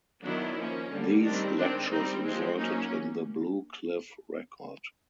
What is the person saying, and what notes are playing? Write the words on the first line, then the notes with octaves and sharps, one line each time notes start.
These lectures resulted in the "Blue Cliff Record".
D#3 F#3 B3 D4 E4
F3 A#3 C#4
D3 G3 A#3
D#3 G3 C4 D4
D#3 G#3 C4 D4
G3 C4 D#4
F3 G#3 C4
F#3 A#3 C#4 D#4